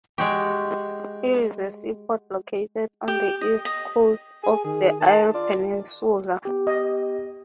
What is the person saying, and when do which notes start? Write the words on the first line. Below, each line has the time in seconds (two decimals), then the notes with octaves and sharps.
It is a seaport located on the east coast of the Eyre Peninsula.
0.18 G#3 F#4 G4
3.08 G4
3.41 D#5
3.65 D#5
4.43 G#4 G#5
4.64 D#3 G#4
5.01 D#3 A5
5.34 F4 D5
6.45 B3 G4
6.67 D#5